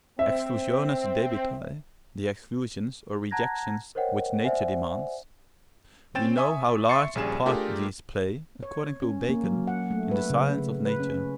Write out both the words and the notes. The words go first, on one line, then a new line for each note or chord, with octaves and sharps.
Exclusiones debitae--the exclusions, or rejections, which nature demands--we know how large a part these play, according to Bacon, in the science of nature.
C4 E5
F#5 A5 A#5 F#6 G#6 A#6
A#4 C5 C#5 D#5 F#5 G5
C5 D5 E5 F#5 G#5
C4 C#4 G5 A6 E7
E5 G#5 C#6 D#6
E5 C6 C#6 A6 C7 C#7
A#1 C#3 G3 G#4 G#5 E7
A3 D4 F4 G4 G#4 A#4
C#5
C#4
A#3
F#3
F#5
A3
B4
C#3
B4
C#4
C#4